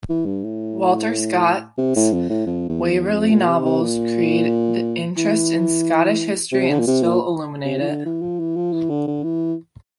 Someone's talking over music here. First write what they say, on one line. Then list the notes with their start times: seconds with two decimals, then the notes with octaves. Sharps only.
Walter Scott's Waverley novels created interest in Scottish history and still illuminate it.
0.09 E3
0.26 G2
0.44 A2
1.78 C3
1.96 A2
2.13 F2
2.30 A2
2.46 F2
2.69 E2
2.91 E2
3.14 F2
3.31 A#2
3.48 C3
3.65 C3
3.81 A#2
5.18 E3
6.52 C3
6.70 D3
6.80 A#2
6.87 C3
7.03 A#2
7.65 C3
7.81 E3
7.88 D3
8.05 E3
8.21 F3
8.39 E3
8.56 F3
8.73 E3
8.90 D3
9.07 D3
9.23 E3